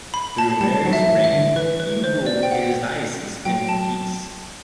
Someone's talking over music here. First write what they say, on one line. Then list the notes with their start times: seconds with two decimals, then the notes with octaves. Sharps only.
Through Mary's reign he ruled his diocese in peace.
0.14 B5
0.38 A5
0.61 G3 A5
0.86 F#3
0.93 E5
1.09 E3
1.24 E5
1.32 D3
1.56 E3 B4
1.80 B4
2.04 C5
2.26 D5
2.43 G5
2.51 F#5
3.45 F#3 G5
3.69 A5